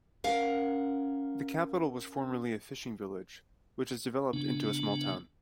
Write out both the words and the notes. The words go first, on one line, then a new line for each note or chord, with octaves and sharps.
The capital was formerly a fishing village which has developed into a small town.
C#4 A#4 F5 F#5
C#3 B3 D4